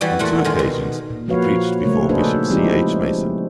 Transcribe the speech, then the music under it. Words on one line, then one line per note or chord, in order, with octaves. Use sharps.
On two occasions, he preached before Bishop C. H. Mason.
E3 G3 F#4 D5
E2 A#2 A3 F#5
A#2 D#3 G#3
B2
A#2
F3 A#3 F#4 B4 C#5 F5
C#3 G3 A3 A#4 C#5
D4 D#4 G#4 A4 B4 C5
F3 G#3 C4 D#4 E4 G4